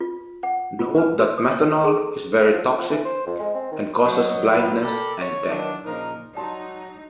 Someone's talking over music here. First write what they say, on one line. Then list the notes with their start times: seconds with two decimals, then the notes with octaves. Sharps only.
Note that methanol is very toxic and causes blindness and death.
0.01 F4
0.43 F#5
0.79 F4
0.98 B4
1.19 F#4
1.38 D#6
1.51 C#5
1.84 G#4
1.97 A4
2.52 F3
2.64 D3
2.77 F3
2.90 E3
3.05 C5
3.27 F2
3.40 G#3
3.55 C4
3.72 D#3
4.05 F#3 C5 C#5 D#5
4.50 F#3 F4 B4
4.82 A4 A#4 D5 G5 A5 B5
5.20 C#5
5.50 D#3 E3 F#3 D4
5.85 A#2 C#3 F3 D#4 A#4
6.35 F#3 D#4 D5 A5 C6